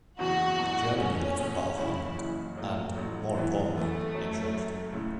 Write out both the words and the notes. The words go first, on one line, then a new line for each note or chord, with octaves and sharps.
The German units were battle-hardened and, more importantly, entrenched.
F#1 E2 E3 B3 F#4
F#1 E2 E3 B3
C#2 B2 A3 C#4
C#2 B2 A3
F#1 F#2 C#3 E3 E4
F#1 F#2 C#3 E3
A1 A2 F#3 A3
A1 A2 F#3 A3
F#2 E3 B3 E4
F#2 E3 A3 B3 E4
F#2 F#3 C#4
F#2 F#3 C#4
C#2 C#3 A3 E4